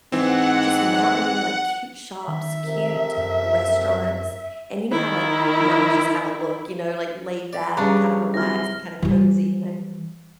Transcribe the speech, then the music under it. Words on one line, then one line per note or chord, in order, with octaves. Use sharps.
just mountainy, like, cute shops, cute restaurants, and you know how, like, mountains just have a look, you know, like laid back, and kind of relaxed, and kind of cozy, you know
G#2 E3 C4 F#5
D#3 E5
F2 C3 A#4
F#2
D#3 E4
D5
G2 C#3 D4 A#5 B5 C#6
F#3 C4 E4 F6 A#6
E3 G3